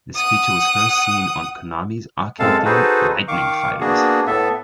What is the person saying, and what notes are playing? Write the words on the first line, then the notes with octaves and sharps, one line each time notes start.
This feature was first seen on Konami's arcade game, "Lightning Fighters".
F#5 D#6
F#2 G#3 C4 A4 F5 A5
D#4 F#4 G#4 A4 B4 C5
D#3 F5 C#6 D6
A#3 B3 D4 F#4 G#4
A2 B3 A4 E5